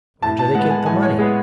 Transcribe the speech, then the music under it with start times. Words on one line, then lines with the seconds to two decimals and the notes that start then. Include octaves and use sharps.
"Where do they get the money?"
0.22 A2 A5
0.39 A5
0.55 G#3 B3 F#5
0.70 G#5
0.86 A2 G#5
1.03 C#5
1.19 G#3 B3 G#4